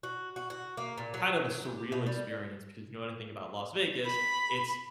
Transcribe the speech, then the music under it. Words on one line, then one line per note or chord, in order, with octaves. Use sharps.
kind of a surreal experience because you know anything about Las Vegas, it's
F#4
F#4
F#4
A#3
A#2
F#3
G4
B2
G3
B5